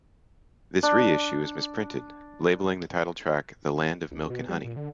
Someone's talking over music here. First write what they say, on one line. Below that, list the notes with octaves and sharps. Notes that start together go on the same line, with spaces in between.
This re-issue is misprinted, labeling the title track The Land of Milk and Honey.
D4 D5
C#2
B2
G3
A#2
D3